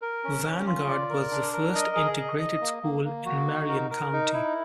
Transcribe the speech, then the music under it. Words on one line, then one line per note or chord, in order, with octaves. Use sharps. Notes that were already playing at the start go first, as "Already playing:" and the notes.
Vanguard was the first integrated school in Marion County.
A#4
C#4
C#4
F4
D5
A#4
D4
A#4
D#5
G#4
D#5
D#5
A#3
A#3
A#3
F#4
D#4
A#4
A#4
D#4
E4